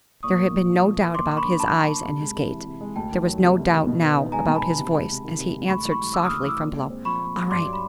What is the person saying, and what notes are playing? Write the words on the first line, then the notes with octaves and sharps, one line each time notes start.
There had been no doubt about his eyes and his gait; there was no doubt now about his voice, as he answered softly from below--"All right!"
A#2 C#6 D#6
A#3
A#2
F3
A#2
A#3
A#2 C6 D6
A#3
B5 C#6
D4
F#3 A5 B5
A#2
A#3
C3
G#3
C3
E3
C3
G#3
D2 G5 A5
D#3
F#3
C3
D2
D#3
B2
B3
D#4
G#3 G#5 A#5
B2
A5 B5
B3
C3
G#3
C3
D#3
C3
G#3
D2 B5 C#6
E3
B5 C#6
G3
C#3 D6 E6
D#6 F6
D2
E3 D6 E6
A#2
G#3
C4
F3 B5 C#6
A#2
G#3
G2 C6 D6
F#3
B5